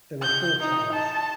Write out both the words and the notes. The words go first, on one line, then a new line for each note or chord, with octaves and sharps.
There are four towers.
G6
D#4
A5